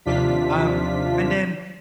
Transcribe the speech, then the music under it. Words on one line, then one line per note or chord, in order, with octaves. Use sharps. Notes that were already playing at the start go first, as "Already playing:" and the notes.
Um, and then
D#2 C3 F3 D4 F4 B6